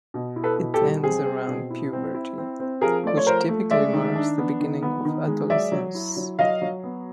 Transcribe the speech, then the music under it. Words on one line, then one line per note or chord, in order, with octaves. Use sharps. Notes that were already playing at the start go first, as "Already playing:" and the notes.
It ends around puberty, which typically marks the beginning of adolescence.
B2
E4
A4 B4
B2
G4 A4
G3
C4 G#4
C4
B2
E4
C4
E4
C4
C4
F3 G#4 A#4
A3 D5
C#5
F3 A#4 C5
A3
G#3 D5 E5
D#3
D4
B3
D#3
B3
D#3
G#3
F#3 D5 E5
F#3
E4
F#3
F#3 D#5 F5
F#3
B3